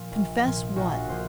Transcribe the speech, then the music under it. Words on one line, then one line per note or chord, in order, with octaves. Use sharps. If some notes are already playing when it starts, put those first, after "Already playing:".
"Confess what?"
Already playing: A#2 F3
A#1
A#2 F3
A#1 F#4
A#2 F3 C5